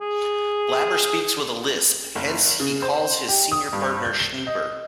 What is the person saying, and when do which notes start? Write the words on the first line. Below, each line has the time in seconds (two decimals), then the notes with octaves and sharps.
Blabber speaks with a lisp, hence he calls his senior partner Shnooper.
0.01 G#4
2.15 F#1
2.60 C#3
2.82 C5
3.29 G4
3.52 D#6
3.73 G2
4.05 G6
4.20 G7
4.47 D#5